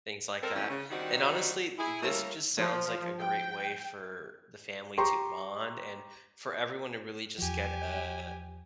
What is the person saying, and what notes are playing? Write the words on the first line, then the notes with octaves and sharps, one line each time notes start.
things like that. And, honestly, this just sounds like a great way for the family to bond and for everyone to really just get a
C4 A4 A#4
E3 G3 A3 C4 C#4
C#3
D#3 G3 C4 D4 D#4 F#4
E4 G#4
G3 A3 A#3 E4 A#4 C#5
F3
G5
G4 A#5 C6 C#6
E2 F3 G4 G#5